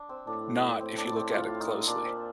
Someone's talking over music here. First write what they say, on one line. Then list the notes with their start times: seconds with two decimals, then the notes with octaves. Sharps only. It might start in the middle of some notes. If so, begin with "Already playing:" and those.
not if you look at it closely.
Already playing: D4
0.09 C4
0.27 A2 D4
0.80 C4
0.98 D4
1.16 C4
1.34 F4
1.60 D#4
1.87 A#2 D4
2.05 C4